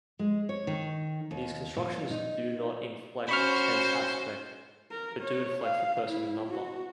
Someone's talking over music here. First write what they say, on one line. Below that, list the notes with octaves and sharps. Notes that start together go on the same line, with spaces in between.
These constructions do not inflect for Tense-Aspect, but do inflect for person and number.
G#3
C#5
D#3
D#2
A#2
D#4
C#4 F#4 C5 B5 C#6 F6
A#4
C#5
F5
E4
F#4